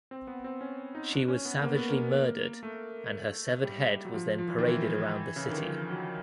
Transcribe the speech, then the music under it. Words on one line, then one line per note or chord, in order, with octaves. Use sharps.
She was savagely murdered, and her severed head was then paraded around the city.
C4
B3
C4
C#4
D#4
D4
C#4
B3
A#3
B3
A#3
A3
G3
F#3
F3
F3
E3
D#3
E3
C#3
D3
D#3
E3
F3
F#3